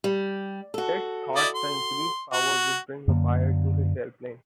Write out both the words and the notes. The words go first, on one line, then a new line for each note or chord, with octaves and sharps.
Ted thought the increase power would bring a buyer to his airplane.
G3
F#4 A4
E4 D5 D#5
C6
F#4
F#2 D3 A#3